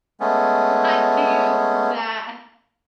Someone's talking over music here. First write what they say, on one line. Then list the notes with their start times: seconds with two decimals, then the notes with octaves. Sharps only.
Like, do you think that
0.20 G#3 A3 B3 C#4